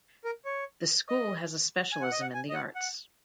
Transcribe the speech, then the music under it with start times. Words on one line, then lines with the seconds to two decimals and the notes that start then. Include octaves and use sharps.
The school has a specialism in the arts.
0.24 A#4
0.45 C#5
1.09 D#5
1.92 G#5
2.01 F#5
2.12 D#5
2.22 F#5
2.34 G#5
2.50 D#5
2.54 F#5
2.75 F#5